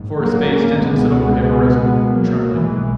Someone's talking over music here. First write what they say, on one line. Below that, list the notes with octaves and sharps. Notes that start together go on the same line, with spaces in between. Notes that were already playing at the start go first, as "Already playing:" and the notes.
For a space Denton stood over him irresolute, trembling.
Already playing: A#1 G#2
F#3 A#3
A#3 C#4
C#2 B2 G#3 B3
G#3 B3
G#3 B3
G#3 B3
F#3 A#3
B1 B2 E3 G#3